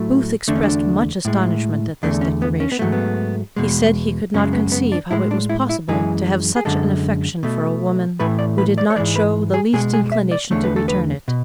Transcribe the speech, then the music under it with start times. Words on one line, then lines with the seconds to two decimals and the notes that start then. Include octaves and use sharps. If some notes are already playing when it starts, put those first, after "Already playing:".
Booth exprest much astonishment at this declaration; he said he could not conceive how it was possible to have such an affection for a woman who did not shew the least inclination to return it.
Already playing: A2 F#3 A3
0.48 E2 D3 A3 D4
0.56 C#4
0.63 D4
1.25 A2 G#3
2.03 E2 D3 A3 D4
2.21 C#4
2.42 B3
2.60 C#4
2.72 B3
2.79 G#2 F#3 A3
2.92 B3
3.56 E2 B2 G#3
4.34 F#2 C#3 G#3 C#4
4.53 B3
4.72 B3
4.92 D4
5.11 A2 G#3 E4
5.31 D4
5.49 E4
5.69 E4
5.88 F#2 E3 G#3 G#4
6.56 G#4
6.65 F#2 D3 G#3 A4
7.43 B2 A3
8.20 A2 E3 A3 B4
8.39 D5
8.58 B4
8.78 D5
8.90 C#5
8.96 G#2 E3 G#3 D5
9.16 B4
9.54 G#4
9.73 B2 G#3 G#4
9.94 G#4
10.12 E5
10.31 D5
10.51 E2 D3 A3 C#5
10.64 B4
10.76 A4
10.88 B4
11.28 B2